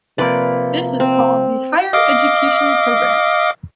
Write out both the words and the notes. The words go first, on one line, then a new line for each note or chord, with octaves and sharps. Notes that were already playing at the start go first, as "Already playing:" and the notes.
This is called the "Higher Education Program".
C3 F3 A#3 B4 D5
C4
D#5 F5 D6